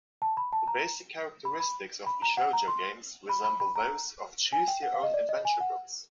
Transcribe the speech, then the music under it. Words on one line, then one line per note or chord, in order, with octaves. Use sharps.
The basic characteristics of bishojo games resemble those of Choose Your Own Adventure books.
A5
B5
A5
A#5
B5
B5
B5
A#5
F#5
A#5
C6
B5
B5
B5
A#5
G#5
G5
F#5
F5
D#5
D5
D#5
G#5
F#5